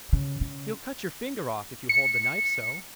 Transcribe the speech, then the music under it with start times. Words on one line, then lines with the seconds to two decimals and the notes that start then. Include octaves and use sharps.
"You'll cut your finger off, if you hold the knife so!"
0.13 C#3
0.41 C#3
1.89 C#7